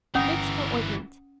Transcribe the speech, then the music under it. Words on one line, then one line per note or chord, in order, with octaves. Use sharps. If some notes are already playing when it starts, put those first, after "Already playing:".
Mix for ointment.
G1 G2 E3 C#4 A#4 F#5 D#6